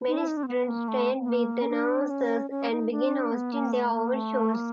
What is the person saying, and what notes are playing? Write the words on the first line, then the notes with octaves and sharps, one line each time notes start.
Many students trained with announcers and began hosting their own shows.
D#4
E4
D#4
D4
C4
B3
A#3
A3
B3
A#3
C#4
D4
C#4
C#4
D#4
D4
B3
A#3
A3
A#3
A3
A#3